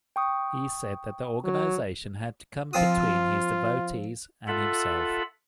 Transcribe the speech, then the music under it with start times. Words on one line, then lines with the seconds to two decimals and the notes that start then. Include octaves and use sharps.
He said that the organization had come between his devotees and himself.
0.16 G5 C#6 D#6
1.44 F#3
2.73 F3 C4 F4 D#6
4.47 F4 A4 E5 F#5 B5